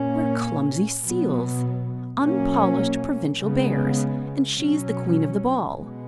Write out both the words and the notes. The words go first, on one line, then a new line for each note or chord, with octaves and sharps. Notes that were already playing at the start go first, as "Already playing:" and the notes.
We're clumsy seals, unpolished provincial bears, and she's the queen of the ball!
Already playing: A#2 A#3 C#4
B2 F#3 B3
B2 F#3 A#3 C#4
C#3 G#3 B3
B2 F#3 C#4
B2 G#3 B3